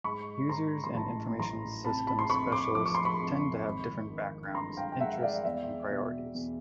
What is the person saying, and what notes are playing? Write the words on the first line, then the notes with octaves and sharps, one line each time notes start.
Users and information systems specialists tend to have different backgrounds, interests, and priorities.
G#2 B5 C#6
G#2 A#5 C6
C6
A1 A5 B5
A1 A#5 C6
C3 A5 B5
A5 B5
C6
F2 B5 C#6
C6 D6
F3 D6
C#6
C6
B5 C#6
F2
G#1
D#3
G2 A#5 C6
F5 G5
G5
G#3 E5 F#5
F5
D5 E5
E2 D5 E5
B2
E2